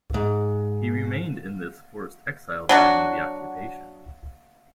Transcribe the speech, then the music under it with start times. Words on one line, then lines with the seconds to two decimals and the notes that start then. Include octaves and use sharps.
He remained in this forced exile during the occupation.
0.14 G#2
2.69 F#3 D4 F#4